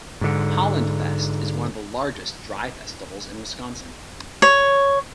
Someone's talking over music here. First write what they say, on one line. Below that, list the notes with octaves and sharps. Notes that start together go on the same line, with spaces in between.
Holland Fest is one of the largest "dry festivals" in Wisconsin.
G#2 D3
C#5